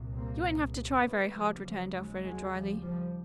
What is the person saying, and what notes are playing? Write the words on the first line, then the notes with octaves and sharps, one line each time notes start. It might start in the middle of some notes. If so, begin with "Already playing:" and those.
"You won't have to try very hard," returned Elfreda dryly.
Already playing: C2 A#2
A#3 C4
D#2 C#3 A3 B3
F3 G3
F3 G3
F#3 G#3
F#3 G#3
F3 G3
F3 G3